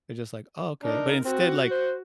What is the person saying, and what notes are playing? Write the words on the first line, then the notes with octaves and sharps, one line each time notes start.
They're just, like, "Oh, okay." But instead, like
D4 D#4 A#4
C4 F#4
C5